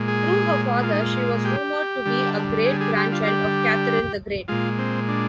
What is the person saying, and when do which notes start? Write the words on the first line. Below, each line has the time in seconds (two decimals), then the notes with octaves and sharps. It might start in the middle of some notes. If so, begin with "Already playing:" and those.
Through her father she was rumoured to be a great-grandchild of Catherine the Great.
Already playing: A#2 G#3
0.08 G#4
0.83 F4
0.92 D#4
1.01 F4
1.45 G4
2.05 D3 G3
2.66 G#4
2.81 G#4
2.97 G4
3.12 F4
3.23 F4
3.27 G4
4.48 A#2 G#3 F4
4.79 C4
5.09 D4